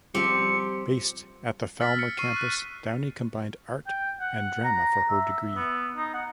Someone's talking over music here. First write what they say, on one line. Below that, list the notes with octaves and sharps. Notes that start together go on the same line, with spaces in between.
Based at the Falmer campus Downey combined Art and Drama for her degree.
F3 G3 C4 G4 C#7
E6 F6 A6 B6
C#7
C#6 C7 D#7
F#6
G5
F#5
A#5
E5
B3
D#4
F#5